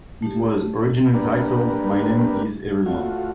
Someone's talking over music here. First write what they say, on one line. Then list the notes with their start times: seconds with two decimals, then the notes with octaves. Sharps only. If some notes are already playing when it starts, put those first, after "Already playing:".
It was originally titled "My Name is Everyone".
0.22 A3 G4
1.14 A#3 D4 G4 A#4 B4
2.86 A3 F4 F#4